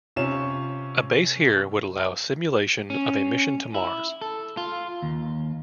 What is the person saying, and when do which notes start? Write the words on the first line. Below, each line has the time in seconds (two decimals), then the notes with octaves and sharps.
A base here would allow simulation of a mission to Mars.
0.16 C3 C#4 F4 C#5 E7
2.90 C#4
3.74 E4
4.21 A4
4.57 F4
5.02 D#2